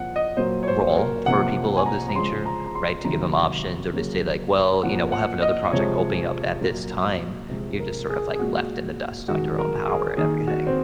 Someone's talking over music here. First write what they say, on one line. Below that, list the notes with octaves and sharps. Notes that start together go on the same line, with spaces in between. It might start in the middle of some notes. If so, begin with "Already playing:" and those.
role for people of this nature, right, to give ‘em options or to say like, "Well, you know, we'll have another project opening up at this time." You're just sort of, like, left in the dust, on your own power and everything.
Already playing: C#3 F3 A#3 F#5
D#5
A#2 F#3 A#3 C5
C#5
C5
A#4
C3 F3 A#3 F#5
G#5
A#5
A#5
C#3 F3 G#3 C6
A#5
A#5
C6
C3 D#3 F#3 A#3 A#5
C#3 F#3 A#3
A#2 F3 A#3 F#5
F#5
D#5
C3 F3 G#3 C#5
A#2 F#3 A#3
C3 F3 G#3
A#4
G#4
G#4
A#2 G#3 F#4
D#3 G#3 F#4
A#4
G#4
D#3 A#3 G#4
F#4
C4